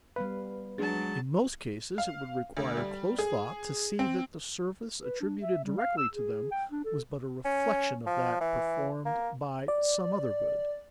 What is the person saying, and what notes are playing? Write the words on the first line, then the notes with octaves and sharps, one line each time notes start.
In most cases it would require close thought to see that the service attributed directly to them was but a reflection of that performed by some other good.
G3 B3 B4 F5
F#3 G#3 D4 G#4 A5 A6
F5
D2
G3
G#4
C4
B4
D4
E5
G3
F5
E6
G#4
G5
D4
A4
C#4
F3
E3
A#3
D5